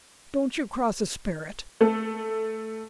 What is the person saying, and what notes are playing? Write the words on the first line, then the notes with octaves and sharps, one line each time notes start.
"Don't you cross a sperrit."
A3 A4